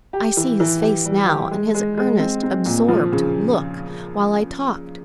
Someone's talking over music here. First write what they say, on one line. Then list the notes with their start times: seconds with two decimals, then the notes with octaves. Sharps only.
I see his face now, and his earnest absorbed look while I talked.
0.13 G4
0.37 E3
0.60 E3
0.82 G4
1.05 G3
1.28 G4
1.51 G#3
1.74 G#3
1.97 G#3
2.20 C4
2.43 C4
2.65 A#2
2.88 F3
3.12 C#3